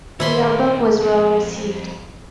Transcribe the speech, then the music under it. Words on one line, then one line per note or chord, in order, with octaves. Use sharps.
The album was well received.
A#2 D#3 D#4 E4 B4 C#5 B5 C6
F2